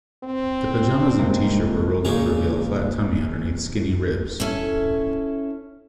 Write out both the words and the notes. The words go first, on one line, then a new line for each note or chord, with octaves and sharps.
The pajamas and T-shirt were rolled up to reveal a flat tummy underneath skinny ribs.
C4
C3 G#3 A#3
A#2 C#3 G#3 D#4 F4 A#4
C#4 E4 A4